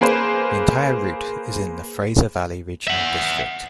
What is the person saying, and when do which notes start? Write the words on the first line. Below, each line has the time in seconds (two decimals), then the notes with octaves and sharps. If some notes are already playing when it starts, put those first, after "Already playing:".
The entire route is in the Fraser Valley Regional District.
0.01 A#3 G#4 B4 C5
2.88 E5 F#5